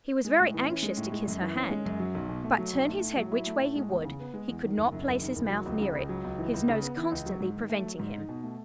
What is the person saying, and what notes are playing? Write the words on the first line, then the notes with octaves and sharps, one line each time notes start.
He was very anxious to kiss her hand; but turn his head which way he would, he could not place his mouth near it, his nose constantly preventing him.
G#3
A2
E3
C#4
G#3
A2
G#3
F#2
E3
C#4
G#3
F#2
F#3
B1
B2
A3
F#3
B1
A3
A2
F#3
E4
A3
A2
G#3
E2
C#3
B3
G#3
E2
D#3
F#1
F#2
F#1
D#3
F#1
F#3
C#2
C#3
C#2
F#3
C#2
E3
C#2
C#3
B3
E3
C#2
F#3
G#2
D#3
A3
F#3
G#2
D#4
B2
A3